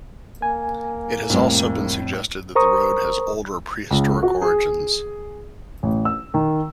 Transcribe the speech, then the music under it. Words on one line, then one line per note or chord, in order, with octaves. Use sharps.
It has also been suggested that the road has older prehistoric origins.
A#3 G#5
F2 A2 G3 C4
A#4 C5 A#5 C#6 D#6
C#2
F#4
G#4
A1
E6
D#3